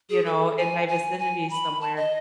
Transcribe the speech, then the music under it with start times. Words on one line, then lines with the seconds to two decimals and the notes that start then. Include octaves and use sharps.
you know, in my vicinity somewhere,
0.10 G#4
0.26 A4
0.57 G#5
0.88 G#5
1.19 G#5
1.50 B5
1.81 A5
1.96 D#5